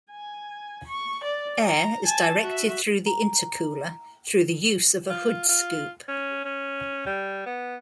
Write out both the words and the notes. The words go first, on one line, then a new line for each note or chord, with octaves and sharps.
Air is directed through the intercooler through the use of a hood scoop.
G#5
C#6
D5
A#5
G#5 A5
F#4 E5
A#5
F4
F4
C#4
C#4
G3
B3